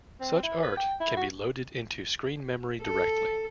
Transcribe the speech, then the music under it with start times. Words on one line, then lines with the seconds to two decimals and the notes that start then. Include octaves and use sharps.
Such art can be loaded into screen memory directly.
0.20 C4
0.43 E4
0.63 B4
0.77 G5
1.00 E4
1.17 F#4
2.82 A4